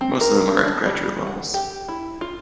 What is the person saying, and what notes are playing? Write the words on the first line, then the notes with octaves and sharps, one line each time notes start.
Most of them are at graduate levels.
C4
A#4
D4
G3
F#5
G4
E4
F4